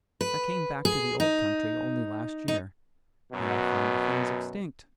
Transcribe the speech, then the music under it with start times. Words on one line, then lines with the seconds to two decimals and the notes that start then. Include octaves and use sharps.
I came back to the old country only last year, and I find the thing's extinct.
0.21 B4
0.85 G#4
1.20 D#4
2.48 D#4
3.32 F#2 B2